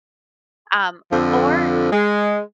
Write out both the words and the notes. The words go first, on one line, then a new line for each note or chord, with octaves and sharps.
Um, or
F2 D3 F3
G#3